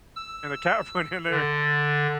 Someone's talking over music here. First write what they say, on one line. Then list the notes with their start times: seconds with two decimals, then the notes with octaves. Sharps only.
and the cat went in there
0.16 E6
1.30 D3